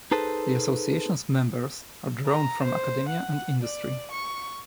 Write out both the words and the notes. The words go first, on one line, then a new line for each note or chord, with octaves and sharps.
The association's members are drawn from academia and industry.
D#4 G#4 A4 B4 C5
A#5
C5
F#5
D5
C#6